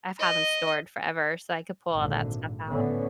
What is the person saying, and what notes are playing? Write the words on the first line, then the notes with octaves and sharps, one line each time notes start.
I've had them stored forever so I could pull all that stuff out.
D#5
G#1 A#2 D3
A2 D3 B3 C#4